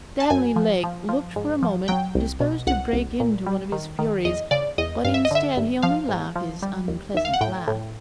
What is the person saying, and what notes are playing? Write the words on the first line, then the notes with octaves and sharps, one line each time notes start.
Stanley Lake looked for a moment disposed to break into one of his furies, but instead he only laughed his unpleasant laugh.
A5
F#2 G#5
F3
F3
F3
G#2
F3
F#3 G5
C2
B2
C2 F#5
C2
A#2
G3
D#3
D#3
E2 D#5
C#3 D5
E2 D#5
G2 F5
E5
D#5
D3 E5
G2
F3 F5
G#2
F3
G3
D#2
D#2 E5
F5
F#5
A2 G5
A2